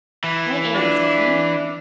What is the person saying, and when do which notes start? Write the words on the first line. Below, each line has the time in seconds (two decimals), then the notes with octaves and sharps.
"I am," said he.
0.24 E3
0.74 D4